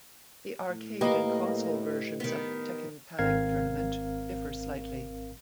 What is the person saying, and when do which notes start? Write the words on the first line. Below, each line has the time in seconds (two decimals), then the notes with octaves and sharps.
The arcade and console versions of "Tekken Tag Tournament" differ slightly.
0.70 A2
1.01 A#3 G4 B4 D#5
2.20 D#3 B3
3.19 G#1 C4 A#4 F5 G#6